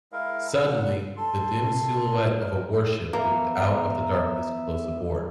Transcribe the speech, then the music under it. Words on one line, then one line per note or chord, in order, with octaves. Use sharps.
Suddenly, the dim silhouette of a warship loomed out of the darkness close aboard.
G#3 E4 A#4 F5
F#5
A4 C6
A#4
E3 A#3 B3 A4 A#4 E5 A#5